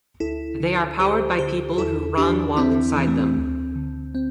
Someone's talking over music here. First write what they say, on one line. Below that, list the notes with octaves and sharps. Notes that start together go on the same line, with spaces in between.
They are powered by people who run while inside them.
D2 E4 A4
D3
D2 G4 C5
D3 G4 C5
E2 E4 A4
E3 D4 G4
E2 C4 E4
E3 C4
A3
C4
D2
D3
C4